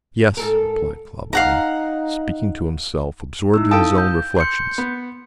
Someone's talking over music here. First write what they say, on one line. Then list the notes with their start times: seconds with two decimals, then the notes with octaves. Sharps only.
"Yes!" replied Clawbonny, speaking to himself, absorbed in his own reflections.
0.37 G#2 A4 A#4
1.33 D#4 F5 F#5 A#5
3.54 D#4 E4 E6
3.71 A4 F5 G5 A5 D#6 E6
3.98 G6
4.37 C6 G6 C#7
4.78 B3